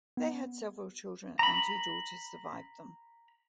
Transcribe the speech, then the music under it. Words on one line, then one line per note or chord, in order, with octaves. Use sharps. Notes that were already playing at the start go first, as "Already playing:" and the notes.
They had several children, and two daughters survived them.
B3
A#5 B5